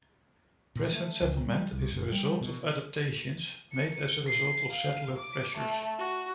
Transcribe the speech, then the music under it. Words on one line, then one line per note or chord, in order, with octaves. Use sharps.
Present settlement is a result of adaptations made as a result of settler pressures.
A#2
A3
C#2
G3
C2
F#1
G3
B2
C#7
C7
F5
D6
A3
F#4